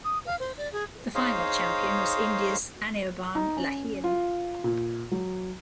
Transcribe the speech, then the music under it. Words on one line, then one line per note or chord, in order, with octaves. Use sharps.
The final champion was India's Anirban Lahiri.
D#6
F5
C5
D5
G#4
D#4 G#4 C5 C#5 F5
D#4
C#4
F4
A#2
F#3